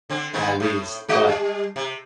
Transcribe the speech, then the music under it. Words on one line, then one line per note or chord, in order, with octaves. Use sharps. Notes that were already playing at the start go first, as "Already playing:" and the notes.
At least, but,
D3 C4
D#3 B3 C4
A2
G#3 F#4 D#5
G3
C3